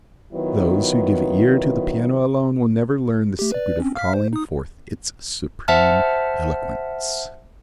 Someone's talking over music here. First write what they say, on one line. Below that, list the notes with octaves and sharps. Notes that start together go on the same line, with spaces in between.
Those who give ear to the piano alone will never learn the secret of calling forth its supreme eloquence.
D#3 F#3 B3 E4 F4 B4
A3 G4
B4 D5
C4 C#4
F5 F6 B6
C5
D#4 D#6
C5 E5 F#5 A5 F6